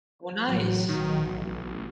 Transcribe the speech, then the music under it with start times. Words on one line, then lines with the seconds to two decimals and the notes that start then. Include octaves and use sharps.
Oh, nice.
0.46 A1 F#3
0.89 B1 D#3
1.26 A1